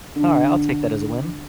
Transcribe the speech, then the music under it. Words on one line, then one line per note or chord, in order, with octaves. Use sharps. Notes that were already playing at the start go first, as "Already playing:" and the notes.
Alright. I'll take that as a win.
D3